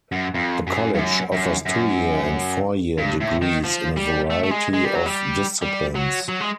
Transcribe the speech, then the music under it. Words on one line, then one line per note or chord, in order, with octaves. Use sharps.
The College offers two-year and four year degrees in a variety of disciplines.
F#2
F2
F#2
G2
F#2
F#2
F#2
G2
A2
D#3
F3
G3
A3
A3
G#3
G#3
G3
F#3
G3
G3
F#3
F#3
G#3